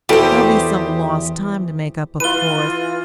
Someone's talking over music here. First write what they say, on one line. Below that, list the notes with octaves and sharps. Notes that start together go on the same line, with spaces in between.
There'll be some lost time to make up, of course.
E2 E4 F#4 G4 A4 C5
E3 F4 B4 D#7 G7